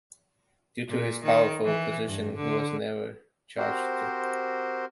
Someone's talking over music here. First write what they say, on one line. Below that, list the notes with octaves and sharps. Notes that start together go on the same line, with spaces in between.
Due to his powerful position, he was never charged.
A#2
D#3
E3
G2
D3
C4 F#4 G4 A#4 C5